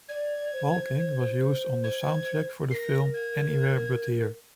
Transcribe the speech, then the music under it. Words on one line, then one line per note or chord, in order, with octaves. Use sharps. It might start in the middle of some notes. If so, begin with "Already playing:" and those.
"Walking" was used on the soundtrack for the film, "Anywhere but Here".
D5 G#6
C5
G#6
A#4 A#6 C7
G#6